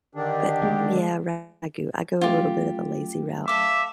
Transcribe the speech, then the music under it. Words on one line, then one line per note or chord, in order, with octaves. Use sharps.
but yeah, ragù. I go a little bit of a lazy route.
D3 D#3 D4 G4
G#3
F#3 A3 C#4 F4 G4
A4 E5 F5 D6